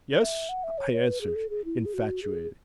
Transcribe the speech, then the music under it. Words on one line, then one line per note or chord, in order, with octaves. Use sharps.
"Yes," I answered, infatuated.
E5
F#5
E5
C#5
C#5
B4
G#4
A4
G#4
E4
G#4
F#4
G#4